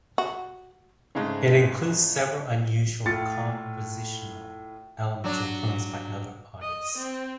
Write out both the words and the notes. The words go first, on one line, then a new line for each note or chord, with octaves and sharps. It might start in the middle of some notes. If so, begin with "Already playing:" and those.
It includes several unusual compositional elements influenced by other artists.
F#4
G#2 C#3 G#3 A3
A2 F4 A6 C#7
F#3 D4
D#5
C4